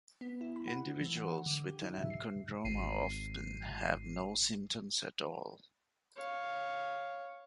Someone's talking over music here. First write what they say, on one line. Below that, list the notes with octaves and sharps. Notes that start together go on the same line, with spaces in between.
Individuals with an enchondroma often have no symptoms at all.
B3
E4
B5
F#5
E3
F#5
D3
G4
D#4
E5
C7
G#1 C7 D#7
C#5 F5